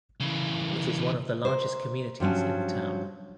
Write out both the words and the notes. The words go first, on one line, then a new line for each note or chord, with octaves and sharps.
It is one of the largest communities in the town.
C#3 E3
A#4 C5
G2 F3 F#3 C#4